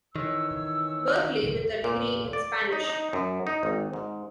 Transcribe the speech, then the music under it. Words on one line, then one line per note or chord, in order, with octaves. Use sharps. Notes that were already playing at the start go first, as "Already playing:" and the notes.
Berkeley with a degree in Spanish.
D#3 E3 C#5 E6
A#2
D5
D#4
D#4
F#2
D#4
G#1
G#2